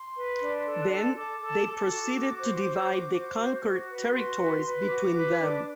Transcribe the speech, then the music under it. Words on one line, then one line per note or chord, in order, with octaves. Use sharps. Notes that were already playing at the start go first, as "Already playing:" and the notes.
Then they proceeded to divide the conquered territories between them.
Already playing: C6
B4
D4
A4
A4
A4 D6
A4
A4
F#4
F#4
C5
F#4
F#4
C5
F#4
F#4
B4
F#4 C6
B4
B4
F#4 D6
B4
D4